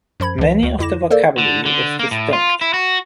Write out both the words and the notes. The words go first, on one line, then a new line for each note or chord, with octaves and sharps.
Many of the vocabulary is distinct.
F#2 F3 B5 G#6
C#2 E3
D2
F2 D3 E4 D6 A#6 E7
A#3 A4 A#4 C5 D5
D3
D3
A#3
A2
F4
E4
F#4